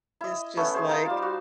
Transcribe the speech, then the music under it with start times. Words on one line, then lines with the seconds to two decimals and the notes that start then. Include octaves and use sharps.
it's just, like
0.21 E4 D#5
0.57 A3 B3 C#4 E4
0.74 G#4 C5
0.88 D#4 F5 A5
1.06 G3 F4
1.22 F#4